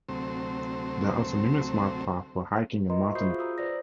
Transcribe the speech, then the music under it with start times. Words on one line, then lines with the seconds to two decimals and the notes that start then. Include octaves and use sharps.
There are also numerous marked paths for hiking and mountain biking.
0.09 D2 C3 F#3 A3 C4 C5
2.90 F4 A#4 B4 D#5 A#5 C6
3.02 E5 C#6
3.15 F#4 C5 B5 D#6 G6 C7
3.27 F4 G#4 F5
3.39 A#5 D#6 E6
3.58 B4 C5 D5 A#6